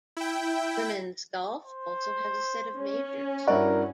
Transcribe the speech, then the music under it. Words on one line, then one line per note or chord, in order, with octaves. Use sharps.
Women's golf also has a set of majors.
E4 G5
C5
C#4
G2 E4 F#4 A#4 D5